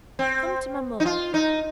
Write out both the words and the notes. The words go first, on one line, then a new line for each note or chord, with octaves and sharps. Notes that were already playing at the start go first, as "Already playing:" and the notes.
Come to my mother.
C4
D#4
F4
D#4